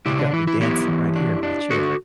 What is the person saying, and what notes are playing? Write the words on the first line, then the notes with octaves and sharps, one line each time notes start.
you got me dancing right here in my chair.
C#3 E4 G4
D4
E3 E4
E4
B3 E4 G4
E3
D4
D4
D3 F#4 A4